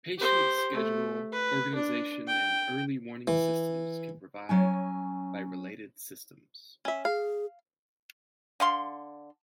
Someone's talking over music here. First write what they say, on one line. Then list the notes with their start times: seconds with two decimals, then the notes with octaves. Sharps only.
Patient schedule organization and early warning systems can provide by related systems.
0.18 G4 C5
0.73 A3
1.32 B4
1.76 D4
2.27 G5
3.28 E3
4.49 F#3 C#4 G#5
6.85 C#4 E5
7.05 G#4 F5
8.60 D3 F5 C6